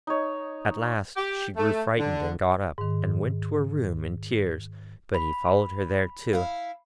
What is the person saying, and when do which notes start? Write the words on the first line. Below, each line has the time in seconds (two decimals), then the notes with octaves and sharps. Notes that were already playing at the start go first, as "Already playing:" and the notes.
At last she grew frightened, got up, and went to her room in tears, but he followed her there too.
0.07 D#4 C#5
1.17 G4
1.56 A3
1.98 D3
2.78 G#2 D#3
5.14 B5
6.33 E4 F5